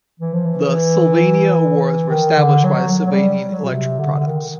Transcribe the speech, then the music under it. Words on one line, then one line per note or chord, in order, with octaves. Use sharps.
The Sylvania Awards were established by Sylvania Electric Products.
E3
F3
E3
D#3
D3
F#3
F#3
F#3
G3
F#3
B2
C3
D3
D3
D#3